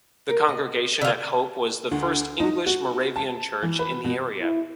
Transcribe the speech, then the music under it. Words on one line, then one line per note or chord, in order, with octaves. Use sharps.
The congregation at Hope was the first "English" Moravian church in the area.
A#4
D5 D#5
D3 F4
D2
D#4
F#4
A5
E3
B4
B2
E4